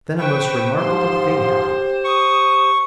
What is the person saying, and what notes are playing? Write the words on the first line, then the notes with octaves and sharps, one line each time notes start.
Then a most remarkable thing happened.
B4 C5 G5 C#6
G#2 F3 G4 C6
C#6 D#6